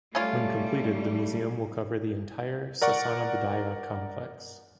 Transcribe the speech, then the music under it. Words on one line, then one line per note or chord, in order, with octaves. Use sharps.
When completed, the museum will cover the entire Sasana Budaya complex.
G3 A3 C#4 F4
A#4 D5 F#5 C#6